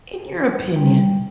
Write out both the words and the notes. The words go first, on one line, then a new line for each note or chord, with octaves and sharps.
In your opinion,
G3